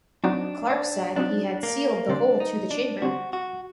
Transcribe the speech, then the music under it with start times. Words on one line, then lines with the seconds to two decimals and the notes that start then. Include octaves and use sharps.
Clark said he had sealed the hole to the chamber.
0.24 F#3 C4 D4 D#4 F#4
0.70 D4
1.16 F#3 C4 D4 D#4 F#4
1.63 A#3
2.09 D3 G3 C4 D4 G4 C5
2.40 D#4
2.71 D4
3.02 D3 G3 C4 F#4 G4 C5
3.33 F#4